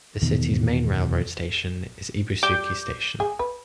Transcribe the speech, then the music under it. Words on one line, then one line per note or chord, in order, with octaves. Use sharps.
The city's main railroad station is Ibusuki Station.
E2 B2 D#3
G3 D6 G6
G#4
B4